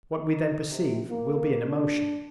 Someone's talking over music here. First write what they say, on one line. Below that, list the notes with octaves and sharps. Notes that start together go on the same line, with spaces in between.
What we then perceive will be an emotion.
D#4
C3
A#3
D4